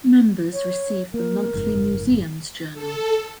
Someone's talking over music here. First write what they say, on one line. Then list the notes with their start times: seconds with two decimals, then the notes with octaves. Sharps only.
Members receive the monthly "Museums Journal".
0.53 C#5
1.14 A#3 A#4
1.54 F#1 F2 G#2
2.73 A4